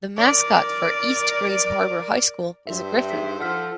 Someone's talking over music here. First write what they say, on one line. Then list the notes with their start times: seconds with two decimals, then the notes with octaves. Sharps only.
The mascot for East Grays Harbor High School is a Gryphon.
0.16 A#4 D5
2.67 G2 C5 E5
3.10 D#4 G#4 B6
3.40 F3 A4 F#5 F6 B6